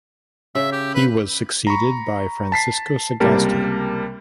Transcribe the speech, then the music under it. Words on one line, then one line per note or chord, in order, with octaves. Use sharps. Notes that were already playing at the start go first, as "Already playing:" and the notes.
He was succeeded by Francisco Sagasti.
C#3 E5
G4
B4
A#5 B5 C#6
A5 B6 C7
C#2 C3 G3 A#3 A#4 A5